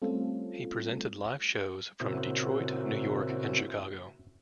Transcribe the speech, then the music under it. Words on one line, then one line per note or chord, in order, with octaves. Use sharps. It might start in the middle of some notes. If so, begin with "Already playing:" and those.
He presented live shows from Detroit, New York and Chicago.
G3 A3 C4 C#4 F4 A4
A#2 C#3 C4 E4 F#4